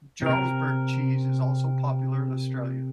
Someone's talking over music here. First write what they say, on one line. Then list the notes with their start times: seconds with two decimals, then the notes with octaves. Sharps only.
Jarlsberg cheese is also popular in Australia.
0.22 C3 A#4